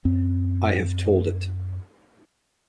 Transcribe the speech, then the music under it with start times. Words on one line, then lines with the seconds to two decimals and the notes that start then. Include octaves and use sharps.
I have told it.
0.05 F#2 C4